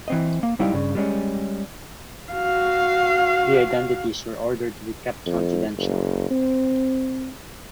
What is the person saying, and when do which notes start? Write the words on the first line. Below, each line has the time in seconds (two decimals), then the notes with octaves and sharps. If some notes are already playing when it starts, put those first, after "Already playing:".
The identities were ordered to be kept confidential.
0.08 E3 C4 D#5
0.43 A#3
0.59 C#2 G3 D#4 E4 G4 F5
0.73 G2 C#3
0.95 G3 G#3 C#4
2.32 F#4 F5
5.26 F2
5.78 F#1
6.31 C4